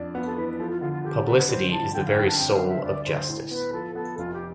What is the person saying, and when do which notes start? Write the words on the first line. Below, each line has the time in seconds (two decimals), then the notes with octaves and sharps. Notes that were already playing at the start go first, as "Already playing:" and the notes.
Publicity is the very soul of justice.
Already playing: F2 D4
0.15 B3 F4
0.26 A4
0.37 E3 B4
0.48 B4
0.59 F3 A4
0.71 F4
0.81 D3 F4
0.93 F4
1.04 D3 G4
1.26 D3 B4
1.48 G3 C5
1.71 F2 A5
1.94 D3 G5
2.05 F5
2.16 G2 G5
2.27 A5
2.38 C4 G5
2.54 F5
2.61 G3
2.68 E5
2.84 D2 D5
3.06 D2 C5
3.29 A2
3.51 B3 B4
3.73 F3 A4
3.95 B3 A4
4.18 F1 F4
4.33 G4